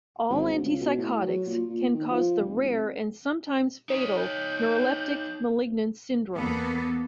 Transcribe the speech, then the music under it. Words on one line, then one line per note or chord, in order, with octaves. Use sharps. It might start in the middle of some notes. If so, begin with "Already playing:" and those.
All antipsychotics can cause the rare and sometimes fatal neuroleptic malignant syndrome.
G#1
D2
C#2
B2
A2
F#3
A#2
A#2
D#3
F3
F1
C2
D#4 C#5
G6
E2 A#3 B3 A4